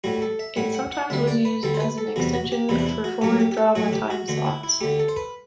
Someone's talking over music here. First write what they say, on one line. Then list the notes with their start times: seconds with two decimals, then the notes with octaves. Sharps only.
It sometimes was used as an extension for foreign drama time slots.
0.04 A2 G3 F#4
0.22 A4
0.39 E5
0.56 A2 G3 F#5
0.74 F#5
0.92 F#5
1.10 D2 D3 G3 E5
1.27 D5
1.45 B4
1.63 D2 D3 G3 A4
1.74 C5
1.80 B4
1.98 A4
2.16 E2 C3 G3 F#4
2.34 F#4
2.52 G4
2.69 E2 C3 G3 E4
2.78 D4
2.86 E4
3.04 F#4
3.21 A2 F#3 A3 G4
3.40 G4
3.51 G4
3.57 A4
3.75 A2 F#3 A3 F#4
3.93 G4
4.10 F#4
4.28 D2 D3 A3 F#4
4.46 E4
4.64 E4
4.81 D2 D3 A3 G4
4.99 A4
5.08 C5
5.17 B4